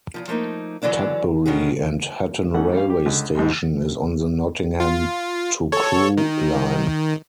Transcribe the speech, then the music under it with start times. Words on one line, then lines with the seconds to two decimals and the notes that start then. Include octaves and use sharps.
Tutbury and Hatton railway station is on the Nottingham to Crewe line.
0.14 E2 G#2 F3
0.28 F3 A3 A#3 D#4
0.82 D3 E3 F#3 D4 D5
1.46 B2 D#3 C#4 F#4 G#4
2.54 E3 A3 C#4 D#4 F#5
2.73 G3 C#4 F5
2.90 G4
3.06 C#2 D3
3.35 A#1 F2 G#2
4.80 F4
5.72 A4 C#5
6.17 D#3